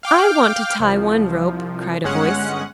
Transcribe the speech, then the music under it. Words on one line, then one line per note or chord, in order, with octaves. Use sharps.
"I want to tie one rope," cried a voice.
F5 G5 D6 F6
C2 F3
G1 G#3 C#4 F#5